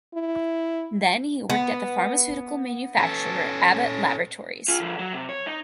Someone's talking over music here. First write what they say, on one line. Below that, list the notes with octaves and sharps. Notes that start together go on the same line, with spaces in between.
Then he worked at the pharmaceutical manufacturer Abbott Laboratories.
E4
B3
C#4 A4
F4 G#4
D3 F3
F#3
C3
C#5
D#4